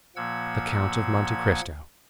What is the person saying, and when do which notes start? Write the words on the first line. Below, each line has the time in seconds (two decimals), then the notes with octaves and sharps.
"The Count of Monte Cristo."
0.16 A#2 F3 A#3 F#5 E6 G#6